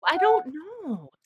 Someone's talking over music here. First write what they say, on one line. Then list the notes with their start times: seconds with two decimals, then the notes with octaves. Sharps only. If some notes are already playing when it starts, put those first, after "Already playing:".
I don't know,
0.16 F#5